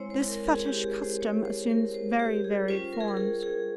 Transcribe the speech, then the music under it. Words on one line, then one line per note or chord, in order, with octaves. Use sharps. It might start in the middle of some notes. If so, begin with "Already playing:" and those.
This fetish custom assumes very varied forms.
Already playing: G#3 C4 E4 C5 C#5
C5
A#4
G#4
G4
G#4
C5
C#5
C5
A#4
C5
G4
G#4
G3 C#4 F4 C5
A#4
G#4
A#4
G#4
G#4